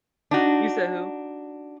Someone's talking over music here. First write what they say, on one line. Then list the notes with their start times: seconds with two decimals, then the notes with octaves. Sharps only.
You said who?
0.31 D4 D#4 F#4